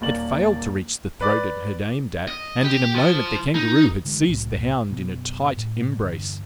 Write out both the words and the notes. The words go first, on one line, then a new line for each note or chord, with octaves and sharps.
It failed to reach the throat it had aimed at, and in a moment the Kangaroo had seized the hound in a tight embrace.
D#1 A#3 D5 F#7
B4 D5 D6
D#5
G4
F3
D#4
D3 E3 F3 G#3
C2 A2 F#3
F#2 B2
A2
E2 G2 D3